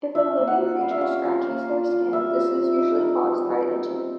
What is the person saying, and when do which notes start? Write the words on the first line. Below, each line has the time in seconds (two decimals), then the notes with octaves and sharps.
If a living creature scratches their skin, this is usually caused by itching.
0.15 F4 E5
0.38 A#3
0.47 F#5
0.59 F4
0.81 G3 F5
0.91 E5
1.01 C#4 F5
1.25 F4
1.47 A#3
1.69 F4
1.91 F4
2.13 G3 E5
2.35 F4
2.56 A#3
2.79 D#4
3.01 G3
3.23 C4
3.45 G3
3.67 D#4
3.89 C4